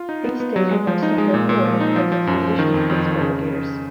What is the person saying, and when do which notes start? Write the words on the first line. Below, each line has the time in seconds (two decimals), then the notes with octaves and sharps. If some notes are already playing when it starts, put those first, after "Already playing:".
These take a much simpler form than the position space propagators.
Already playing: F4
0.09 D#4
0.24 B3
0.40 B3
0.56 F#3
0.71 G#3
0.87 F3
1.03 D#4
1.18 G#3
1.34 A#2
1.49 A#2
1.65 F3
1.81 D#4
1.96 F3
2.12 F3
2.27 F#2
2.43 F3
2.59 D#3
2.74 F2
2.90 F2
3.06 D#3
3.21 C#3